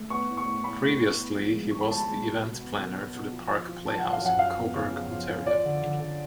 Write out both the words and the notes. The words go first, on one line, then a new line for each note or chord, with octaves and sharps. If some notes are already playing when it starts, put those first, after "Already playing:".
Previously he was the event planner for the Park Playhouse in Cobourg, Ontario.
Already playing: A3
B3 C#6
A2
C#6
A2
A2 B5
A2
A2
B3
F3
G#3
G#3 C#6
B5
F3 A5
B5
G#3
B2
B2
B3
B2
F#3
B2
F3
F3
F3
F3 A5
F#5
F3
F5
F#2 F#5
F3 F5
B3
C#3
F3
F3
F3
F3 D5
D3
D3
D3